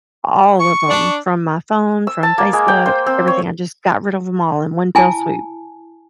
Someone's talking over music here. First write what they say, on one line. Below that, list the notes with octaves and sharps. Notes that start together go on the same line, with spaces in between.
all of 'em from my phone, from Facebook, everything. I just got rid of ‘em all in one fell swoop.
C#6
D4
E6
A5
A#3
G#3
G5
C5
C4
C#5
E4 G#5 A5